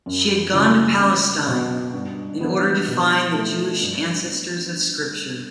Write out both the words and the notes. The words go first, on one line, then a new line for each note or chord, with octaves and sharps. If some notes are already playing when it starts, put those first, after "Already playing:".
She had gone to Palestine "in order to find the Jewish ancestors of Scripture".
F#2
C#3 F#3 C#4 E4
C#2
B2 F#3
G2
E3 B3 D4
B2
A3 E4
G2